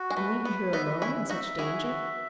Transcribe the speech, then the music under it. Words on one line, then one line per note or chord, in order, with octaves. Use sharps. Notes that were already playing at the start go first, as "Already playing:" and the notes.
"And leave you here alone--in such danger?"
Already playing: F#4
G#3
A3 B4
B3 B4
B3 D#4 E5
C#4 E4 E5
D#4 F#4 E5
E4 F#4 G#4
E5